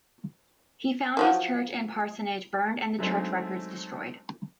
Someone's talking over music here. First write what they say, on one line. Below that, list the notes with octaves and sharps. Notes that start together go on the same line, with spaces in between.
He found his church and parsonage burned and the church records destroyed.
D#3 F3 F#3
F#3 G#3 A3 C4 D4 D#4